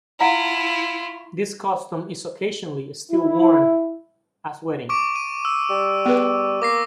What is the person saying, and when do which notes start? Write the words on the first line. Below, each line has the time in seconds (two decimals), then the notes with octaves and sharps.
This costume is occasionally still worn at weddings.
0.20 E4 F4 F5 F#5 A#5
3.12 E4
4.89 C#6 D6 D7
5.16 D#7
5.45 E6
5.70 G3
6.06 B3 G#4 B4
6.62 A#3 D6 A#6 C7